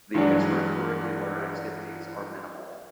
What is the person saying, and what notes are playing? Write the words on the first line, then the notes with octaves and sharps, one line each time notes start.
The extracurricular activities are minimal.
G2 E3 F#3 G#3 D4